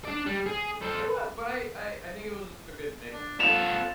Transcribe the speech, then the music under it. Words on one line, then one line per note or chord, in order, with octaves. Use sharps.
It was, but I I I think it was just a good mix of things.
D4 D5
G3
G#4
A4 C5
D4
F3 B3 A4 E7 F7